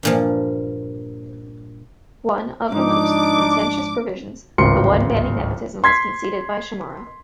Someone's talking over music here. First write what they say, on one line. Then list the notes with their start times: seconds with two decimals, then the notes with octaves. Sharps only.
One of the most contentious provisions, the one banning nepotism was conceded by Chamorro.
0.03 G2 A#2 F3
2.72 G#2 F3 D4 D#4 D6
4.58 D1 G#1 C#2 C6 C#7
5.84 C6 G#6 B6 C7